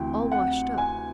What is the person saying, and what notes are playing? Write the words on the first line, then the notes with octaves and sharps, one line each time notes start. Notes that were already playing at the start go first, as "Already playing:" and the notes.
All washed-up!
Already playing: D2 C3 E3 G5
F#5
G#5